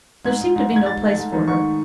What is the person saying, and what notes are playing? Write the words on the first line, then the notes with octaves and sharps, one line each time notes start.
There seemed to be no place for her.
G#2 G#6
G#2
G#2
G#2
G#6
G#2 A6
A3
G#2
D#3
G#2 C#6